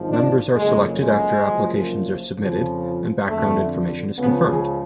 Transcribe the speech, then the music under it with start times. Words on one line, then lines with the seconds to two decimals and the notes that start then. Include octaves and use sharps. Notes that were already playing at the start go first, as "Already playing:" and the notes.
Members are selected after applications are submitted and background information is confirmed.
Already playing: G#1 G#2 F3
0.09 D4
0.55 F#1 F2 C#3 G#3
0.99 G#3
1.45 F#1 F#2 F3
2.36 F2 C#3 F3
3.26 F2 D3 F3 A3
4.18 C#2 C#3 F3 B3
4.47 G#4